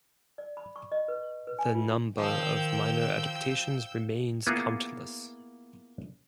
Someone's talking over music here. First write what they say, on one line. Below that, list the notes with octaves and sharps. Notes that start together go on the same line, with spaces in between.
The number of minor adaptations remains countless.
D5
B5
C#6
D#5
B4
B4
G#5
F4
D#3 F3 G5 E6 G6
A#3 B3 E4 F4 G#4